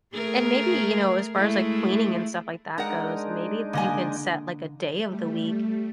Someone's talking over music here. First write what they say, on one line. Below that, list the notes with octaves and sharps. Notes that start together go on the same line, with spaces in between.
And maybe, you know, as far as, like, cleaning and stuff like that goes, maybe you can set, like, a day of the week.
A3 G#4 A#4
G#3 A3 E4
G#3 D4 D#4 A#4 F#5
D3 A#3 D#5 G#5
G3 A3